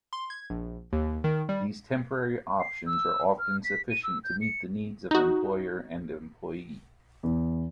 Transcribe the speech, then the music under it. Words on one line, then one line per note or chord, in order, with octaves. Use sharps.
These temporary options are often sufficient to meet the needs of employer and employee.
C6
G#6
A#1
D#2
D#3
G3
C7
E6
F6
B6
D#7
E6
G6
C#7
D#4 F#4
E2